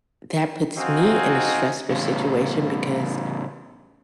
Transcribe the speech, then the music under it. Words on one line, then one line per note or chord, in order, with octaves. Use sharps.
that puts me in a stressful situation, because
C4 D#4 F#4 D#5 F5 G#5
A2 C#3